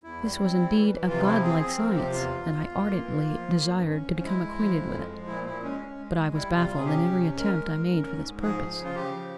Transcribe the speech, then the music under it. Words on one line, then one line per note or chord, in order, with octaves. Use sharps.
This was indeed a godlike science, and I ardently desired to become acquainted with it. But I was baffled in every attempt I made for this purpose.
E2 E4
G3
C4
G3
E3
E3
C3 F4
F3 E4
C4 G#4
C4 G#4
F3 A#4
C3 G4
E2 F4
E2
E2
E2
A#3
E3
A#3
F3
A#3
G2
C#4
F3
C#4
G#3 E4
G#3
F3
F2
G#3
F3
A#2 E4
A#2 E4
G#3 C#4
C#4
G#3
G#3
G3 E4
C3
F4
C3
G#4
C#4 G4
C3
C#4
G#3 A#4
G#3
G#2
C#4
G#2
G#2
F3 G#4
F3
C#3
F4
C#3 G4
F3